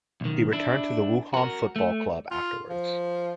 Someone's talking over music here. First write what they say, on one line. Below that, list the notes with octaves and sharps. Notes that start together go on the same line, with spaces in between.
He returned to the Wuhan football club afterwards.
B1 D#3
D4 E4
F#4 A#4
A3
F4
F3